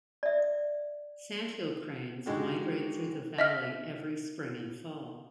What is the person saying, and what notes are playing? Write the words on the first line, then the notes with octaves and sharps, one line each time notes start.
Sandhill cranes migrate through the valley every spring and fall.
D5 E5
G#2 D3 G#3 F#4 G4
D#5 E5 F6